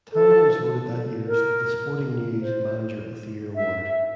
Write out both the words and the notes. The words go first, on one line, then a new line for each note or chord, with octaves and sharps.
Tanner was voted that year's "The Sporting News" Manager of the Year Award.
A4
A#4
C5
E5